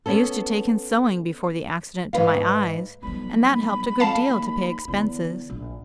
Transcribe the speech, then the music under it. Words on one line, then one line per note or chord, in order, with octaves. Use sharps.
I used to take in sewing before the accident to my eyes, and that helped a good deal to pay expenses.
B3 C#4 A4
G#2 C3 B4 F5
B1 F3 G3 B5
F2 F5 A5
D#2
E2 D3
A#1